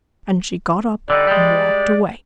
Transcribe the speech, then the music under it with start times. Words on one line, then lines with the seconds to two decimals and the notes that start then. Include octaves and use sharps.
And she got up, and walked away.
1.10 D3 G3 D#4 D5
1.27 G3 G#3